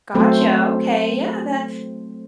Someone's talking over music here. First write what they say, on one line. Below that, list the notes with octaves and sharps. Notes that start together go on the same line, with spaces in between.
Gotcha. Okay, yeah! That
F#3 A3 C4 A4 C5